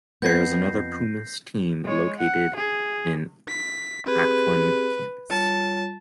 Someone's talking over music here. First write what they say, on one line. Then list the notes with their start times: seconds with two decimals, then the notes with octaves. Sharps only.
There is another Pumas team located in Acatlan Campus.
0.22 F2 B3 G6 A#6 C7
1.84 G#3 C#5
2.19 F#5
2.56 G#4
3.48 B6
4.06 C4 G4 G#4 B4
5.30 G3 F4 C#5 A5